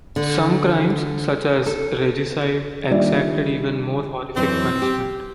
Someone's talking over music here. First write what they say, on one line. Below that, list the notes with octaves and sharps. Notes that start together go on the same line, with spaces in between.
Some crimes, such as regicide, exacted even more horrific punishment.
D3
A4
A#2 D#3 G3 D4 D5 E5
F2 E3 F#3 C4
G4